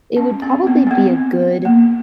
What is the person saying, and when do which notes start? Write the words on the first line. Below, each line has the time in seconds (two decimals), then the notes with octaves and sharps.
it would probably be a good
0.17 C#4
0.42 C4
0.67 B3
0.87 C4
0.91 B3
1.65 A#3